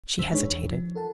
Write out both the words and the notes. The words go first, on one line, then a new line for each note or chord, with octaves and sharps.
She hesitated.
B1 F#2 D3 C5 E6 B6
G#3 D4 D#4 G#4 B4 C#5
E2
F3
A4 A#4 F#5 A5